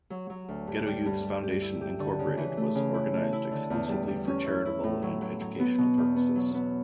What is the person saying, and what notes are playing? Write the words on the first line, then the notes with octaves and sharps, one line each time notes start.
Ghetto Youths Foundation, Incorporated was organized exclusively for charitable and educational purposes.
F#3
F#3
D2
G2
G3
G2
G3
G4
E4
G4
D3
C#3
E3
A3
C#3
E4
A3
E4
D3
E2
G3
G3
C#4
E4
E4
A2
F#3
F#3
F#3
B3
B2
E2
B3
F#3
B3